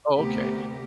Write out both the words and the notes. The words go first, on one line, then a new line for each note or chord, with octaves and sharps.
Oh, okay,
D2 C3 A3 B3 G4 A#4